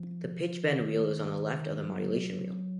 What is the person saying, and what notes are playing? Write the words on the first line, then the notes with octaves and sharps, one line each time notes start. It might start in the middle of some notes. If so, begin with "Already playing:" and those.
The pitch-bend wheel is on the left of the modulation wheel.
Already playing: F3
D#3
F#3